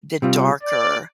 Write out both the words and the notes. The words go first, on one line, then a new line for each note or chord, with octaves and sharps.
the darker,
C3 G3 C4 F4
D5